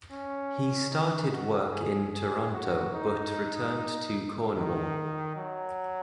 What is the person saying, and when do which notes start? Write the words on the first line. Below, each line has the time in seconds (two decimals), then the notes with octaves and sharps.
He started work in Toronto but returned to Cornwall.
0.11 C#4
0.91 D#4
1.32 F#4
1.72 G#4
2.13 G#4
2.53 F#4
2.93 D#4
4.56 D#3
5.36 F#3